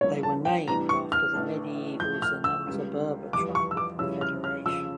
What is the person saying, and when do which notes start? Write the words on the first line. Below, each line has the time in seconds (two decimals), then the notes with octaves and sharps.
They were named after the medieval Zenata Berber tribal confederation.
0.01 G2 F3 A#3 C#4 E4 C#5
0.23 A5
0.45 G5
0.68 A2 E3 G3 D4 A#5
0.89 C#6
1.12 F6
1.33 A1 A2 E3 A3 D4
2.00 A2 F3 A3 G6
2.22 F6
2.44 E6
2.67 C#2 C#3 G3
3.33 F1 F2 E3 G3 D6
3.55 C#6
3.71 E6
3.77 D6
3.99 F2 C#3 G3 C#4 E4 E6
4.21 F6
4.44 F6
4.65 F2 C#3 F3 C#4 F4 E6